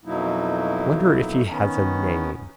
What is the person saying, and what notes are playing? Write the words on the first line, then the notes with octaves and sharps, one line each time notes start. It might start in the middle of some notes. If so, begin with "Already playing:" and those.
Wonder if he has a name.
F2 B2 F#3 A#3 D#4 E4
D#3 B3 C#4